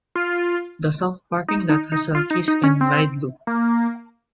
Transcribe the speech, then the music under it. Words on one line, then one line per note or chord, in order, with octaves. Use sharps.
The south parking lot has a kiss and ride loop.
F4
D#4
D#4
D#4
F4
D#4
D#4
C#4
C4
A#3